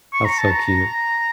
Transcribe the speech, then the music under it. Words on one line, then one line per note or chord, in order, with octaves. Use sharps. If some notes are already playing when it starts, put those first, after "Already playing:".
That's so cute.
C#6
A#5
A5
A#5